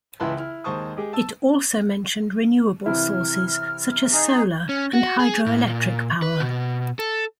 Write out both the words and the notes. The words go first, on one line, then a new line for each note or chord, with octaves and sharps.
It also mentioned renewable sources such as solar and hydroelectric power.
C#2 E3 E4 A5 B5 C6
E4 F6
D#2 G#3 C5 A5 C#6 D#6
G#3 G4 G#4
A5 E6
C3 E3 E4 F6
D#4 G#4
C#4
F#4
G#4
A2
A#2
B4
B2
A4